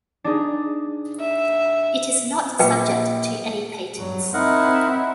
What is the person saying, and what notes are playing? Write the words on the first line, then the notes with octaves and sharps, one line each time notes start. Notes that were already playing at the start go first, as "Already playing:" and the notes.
It is not subject to any patents.
D4 D#4 G#4
E5
A#1 B4 G5
G2 F#3
C4 D#4 E4 A#4 F#5